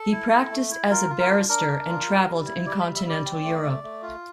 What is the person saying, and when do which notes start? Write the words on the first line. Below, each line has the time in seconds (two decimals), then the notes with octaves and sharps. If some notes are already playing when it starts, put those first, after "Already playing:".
He practised as a barrister and travelled in continental Europe.
Already playing: A4
0.12 E4
0.32 E4
0.51 A3
0.71 E4
0.91 F4 A#4
1.10 F4
1.19 A#4
1.30 D4
1.49 D4 A#4
1.68 D4
1.88 F4
2.07 G3
2.27 G3
2.46 E4
2.66 G3 D5
2.81 G3 E5
2.96 E5
3.05 G3 D5
3.25 C4
3.44 A3
3.63 A3
3.83 A3
4.02 F4